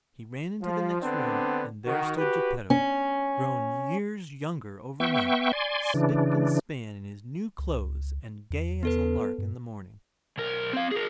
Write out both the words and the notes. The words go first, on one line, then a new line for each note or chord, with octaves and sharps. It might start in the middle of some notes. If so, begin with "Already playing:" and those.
He ran into the next room, and there stood Geppetto, grown years younger overnight, spick and span in his new clothes and gay as a lark in the morning.
F3
D3 B3 C4 D4
D#3 F#4
F#4 G4 B4
C#4
B3 E5 G5 C#6
D5 G#5 C6
C#3 E3 D4
C#2
E2
B3 A4 B4
G2
B1 A#4
C4 F5
G#4 A#4